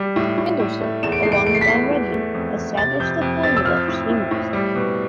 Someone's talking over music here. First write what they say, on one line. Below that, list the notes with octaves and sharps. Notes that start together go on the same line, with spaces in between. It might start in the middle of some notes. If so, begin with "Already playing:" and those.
Henderson, along with Don Redman, established the formula for swing music.
Already playing: G3
A2
A2
A2
A3
E2 E7
D7
E2 C7
D7
A3 D7
C7
B6
E2 C7
E3
A3
F2
F2
C3 A6
F2 G6
F2
F2 A6
E6
F3 F6
A2
A2
A2
G3
B2